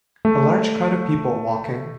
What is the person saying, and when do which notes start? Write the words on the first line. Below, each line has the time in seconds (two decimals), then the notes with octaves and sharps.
A large crowd of people walking.
0.25 A3